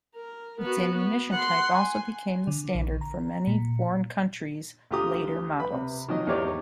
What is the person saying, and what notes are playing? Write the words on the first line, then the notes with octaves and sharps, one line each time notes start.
Its ammunition type also became the standard for many foreign countries' later models.
A#4
B3 F#4
B3
F#5 C6
G#5
D3
A#1
A#5
A#2
D2 F4 G4 A#5 D#6
B4 B5
C3
D#3 F3 F#3 D#5
E2 G#2 D#4 G4 C#5 D5